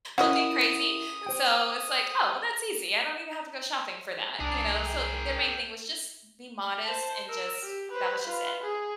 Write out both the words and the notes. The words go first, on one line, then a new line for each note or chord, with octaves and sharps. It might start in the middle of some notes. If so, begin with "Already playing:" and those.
looking crazy," and so, it's like, "Oh, well, that's easy, I don't even have to go shopping for that," you know, so their main thing was just be modest and just, that was just it
C#4 E4 F#4 A#4 D#5 F#5 D#6
C5 G5
C2 D4 G#4 A#4
G5
C5 A5
A#4 E6
G4
B4 C5
F4 B4
G#4